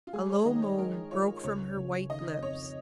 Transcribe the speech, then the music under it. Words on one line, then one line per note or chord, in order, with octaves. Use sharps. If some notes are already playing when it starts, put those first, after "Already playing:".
A low moan broke from her white lips.
F4
G#3 G#4
C#5
D#3 D#5
C#5
G#3 A#4
F4 C#5
C#2 C#5
C#2
D#3 D#5
F2 C#5